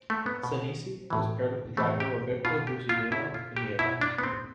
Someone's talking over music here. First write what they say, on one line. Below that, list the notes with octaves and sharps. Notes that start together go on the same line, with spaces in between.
Sanesi was paired with driver Roberto Bussinello in the event.
A3
B3
B2
A2 E3
A2 E3 A3
G4
B2 F4
G4
F4
B2 E4
F4
G4
B2 E4
D4
B3
C4